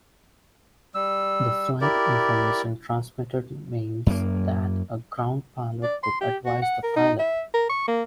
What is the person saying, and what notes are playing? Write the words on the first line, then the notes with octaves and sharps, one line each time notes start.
The flight information transmitted meant that a "ground pilot" could advise the pilot.
G3 E6
E4 G4 A#4 D5
F#2 A#3
D5
C6
G4
F#4
F#5
A#4
D#4
E5
A#4
C#6
A#3